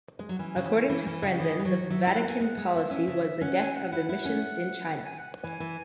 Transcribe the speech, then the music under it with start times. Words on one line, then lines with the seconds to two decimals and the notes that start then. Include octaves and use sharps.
According to Franzen, The Vatican policy was the death of the missions in China.
0.19 G#3
0.29 F#3
0.39 E3 C#4
0.56 C#3
0.64 E3 E4
0.89 E3 E4
1.02 E3 C#4
1.14 E4
1.23 C#3 F#4
1.40 E3 G#4
1.59 E3
1.65 F#3 C#5
1.91 F#3 E5
2.03 E4 E5
2.15 F#5
2.24 B3 G#5
2.40 G#3 F#5
2.57 G#3
2.66 E5
2.75 B3
2.91 C#4
3.08 C#3
3.41 C#4 F#5
3.59 G#5
3.75 F#5
3.92 E4 F#5
4.09 E4
4.25 C#4
5.06 G#5
5.18 F#5
5.43 E3 G#5
5.60 E3